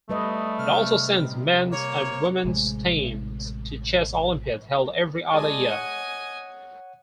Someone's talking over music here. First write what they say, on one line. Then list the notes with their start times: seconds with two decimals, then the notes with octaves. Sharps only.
It also sends men's and women's teams to Chess Olympiads held every other year.
0.10 G3 A3 B4 D#5
0.59 C3 F6
1.72 A#3 C#5
2.45 A1 C3 G#3
5.33 G#3 D5 D#5 G#5 A5
5.71 C#5 F#5